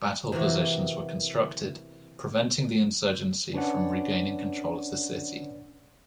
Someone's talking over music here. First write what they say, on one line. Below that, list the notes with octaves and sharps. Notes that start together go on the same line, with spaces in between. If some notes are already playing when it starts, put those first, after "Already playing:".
Battle positions were constructed, preventing the insurgency from regaining control of the city.
C3 E3 A#3 F#4
C#4 D4 B4 C#5 D5 F#5